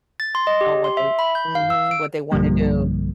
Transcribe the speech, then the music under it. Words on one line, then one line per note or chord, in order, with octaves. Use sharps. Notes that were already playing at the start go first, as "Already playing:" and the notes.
Now what they Mhm, what they wanna do.
A6
C6
D#5
G4
C6
E5
B5
G6
F5
E6
D7
B1 G2 D3 F3 G3 A#3